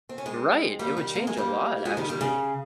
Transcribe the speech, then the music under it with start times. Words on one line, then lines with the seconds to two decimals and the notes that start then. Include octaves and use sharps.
Right. It would change a lot, actually.
0.09 C4
0.18 C#4
0.26 G#3 C4
0.79 G3 A#3
0.97 D#3 G3
1.15 A#3
1.27 G#3
1.37 G3 A#3
1.85 F3 G#3
1.97 D#3 G3
2.09 D#3 G3
2.21 C#3